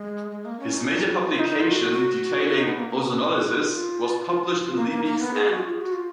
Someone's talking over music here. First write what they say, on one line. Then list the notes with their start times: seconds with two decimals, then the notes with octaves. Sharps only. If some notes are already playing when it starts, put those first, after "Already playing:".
His major publication detailing ozonolysis was published in Liebigs Ann.
Already playing: G#3
0.31 G#3
0.45 A#3
0.60 C#4
0.74 D#4
0.85 C#4
0.96 D#4
1.06 G#4
1.17 F#4
1.28 F4
1.39 D#4
1.50 D#4
1.61 F4
1.71 F#4
1.82 F#4
1.93 F#4
2.47 F#4
2.58 D#4
2.68 B3
2.79 A#3
2.90 A#3
3.04 C#4
3.19 D#4
3.33 G#4
3.44 F#4
3.54 G#4
3.65 F4
4.62 F4
4.76 A#3
4.91 A#3
5.05 A#3
5.20 B3
5.34 G#4
5.49 F#4
5.59 F4
5.70 G#4
5.81 F#4
5.92 F4